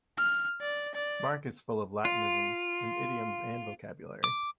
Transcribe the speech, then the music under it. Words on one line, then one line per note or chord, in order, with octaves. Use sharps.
Mark is full of Latinisms, in idioms and vocabulary.
F6
D5
D5
F4
D6